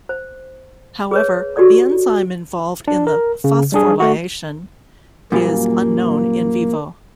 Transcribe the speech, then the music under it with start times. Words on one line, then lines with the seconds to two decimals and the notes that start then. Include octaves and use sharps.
However, the enzyme involved in the phosphorlyation is unknown in vivo.
0.09 C5
1.11 G#4 B4 C#5
1.56 F#4 G4 A4 D5 D#6
2.88 D4
3.07 A#4
3.44 C#3
3.72 G3 D4 G#4
4.00 A3 F#4
5.32 F#2 A#2 G3 A#3